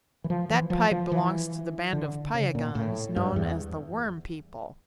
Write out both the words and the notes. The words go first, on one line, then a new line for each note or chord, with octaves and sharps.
That pipe belongs to the band of Piegans known as the Worm People.
E3
F3
E3
F3
F3
E3
D3
C#3
A#2
A2
G2
E2